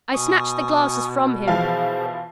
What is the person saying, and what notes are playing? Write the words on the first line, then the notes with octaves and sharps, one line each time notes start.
I snatched the glasses from him.
B2 G#5 C#6 D#6
E3 F3 G#4 C5 F5